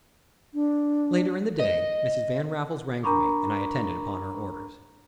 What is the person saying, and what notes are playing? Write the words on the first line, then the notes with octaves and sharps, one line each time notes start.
Later in the day, Mrs. Van Raffles rang for me and I attended upon her orders.
D4
D#5
D4 A#4 A#5 B5 C#6 D6